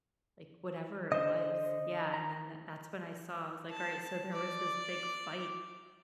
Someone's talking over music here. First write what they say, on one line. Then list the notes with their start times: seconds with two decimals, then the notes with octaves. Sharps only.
like, whatever it was. Yeah, and then tha that's when I saw, I was like, "Alright, so, there was this big fight,"
1.12 D3 C5 D#5
2.14 A#5
3.71 A5
4.33 D5